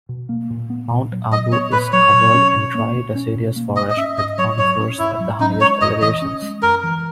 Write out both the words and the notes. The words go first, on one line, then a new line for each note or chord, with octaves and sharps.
Mount Abu is covered in dry deciduous forest with conifers at the highest elevations.
B2
A#3
A#2
B3
A#2
F#3
A#2 D#5
B3 C#5
A#2 B4
F#3 C#5
B2
C#4
B2
A#3
B2
C#4
B2
A#3
G#2 D#5
D#5
C#4 E5
G#2 D#5
F#3 C#5
G#2 C#5
C#4
G#2 E4
F#3
C#4 D#4
G#3 C#5
F#2 D#5
E3 D#5
C#4
G#3
F#2 A#4
E3